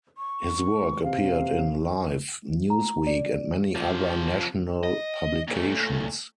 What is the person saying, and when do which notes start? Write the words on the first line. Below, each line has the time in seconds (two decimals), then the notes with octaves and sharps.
His work appeared in "Life", "Newsweek" and many other national publications.
0.18 C#6
1.04 C3 F5
2.70 A#5
3.07 D5
3.75 C3 F3
4.83 D#5
5.48 A#2 A3